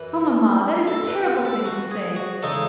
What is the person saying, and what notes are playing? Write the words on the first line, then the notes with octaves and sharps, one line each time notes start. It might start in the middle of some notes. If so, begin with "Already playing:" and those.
Oh, mamma, that is a terrible thing to say.
Already playing: F#2 E3 B4
A4
B4
B4
A4
F#4
G#4
F#4
E2 C#3 G#3 D#4 A4